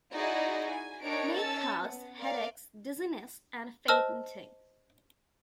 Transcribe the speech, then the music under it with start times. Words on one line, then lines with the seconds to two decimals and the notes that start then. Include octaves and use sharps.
May cause headaches, dizziness and fainting.
0.14 D#4 E4 F#4 G#4 D5 D#5
0.70 G#5
1.03 D4 D#4 A#4 C#5 G5 D7
1.37 C#4 A5 E6 A6
1.80 B3
2.19 A#4 D5 F5
3.88 C5 D#5 A5 E6 F6